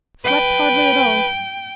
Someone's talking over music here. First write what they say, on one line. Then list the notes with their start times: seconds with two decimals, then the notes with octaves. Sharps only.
Slept hardly at all.
0.25 B4 G5